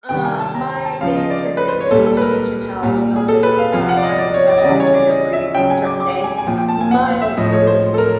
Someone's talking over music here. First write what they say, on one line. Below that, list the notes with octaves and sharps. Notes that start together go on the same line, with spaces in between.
um, my big trigger, you know, you had mentioned how milk is, uh, kind of a bad trigger for you on certain days. Mine is gluten.
C3 D#3 G3 G5
G#5
A5
A#5
A#5
A5
C#3 F3 F5
D#5
D5
B4
C5
C#5
A#2 G3 A4
A4
B4
A#4
A#2 G3
G#4
A4
B4
F5
C3 F3 F5
F#5
D5
D#5
D5
C#5
D5
D#5
C#3 E3 G3 D5
C#5
D5
D#5
E5
C#3 F#3 G5
G#5
D6
D6
G#5
G#5
A#2 F3 G5
G5
A5
G#5
F#5
F5
E5
A2 F3 D#5
C#5
C5
A4
A#4